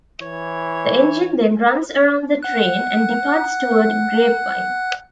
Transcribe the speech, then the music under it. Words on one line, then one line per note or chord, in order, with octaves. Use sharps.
The engine then runs around the train, and departs toward Grapevine.
E3 C#5
F#5 F#6